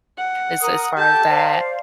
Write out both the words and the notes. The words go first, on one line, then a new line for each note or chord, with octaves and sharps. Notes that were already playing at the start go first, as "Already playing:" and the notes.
as as far as that.
F#5
A#4 D#6
G4 A4 A5 G6
C5 D5 F5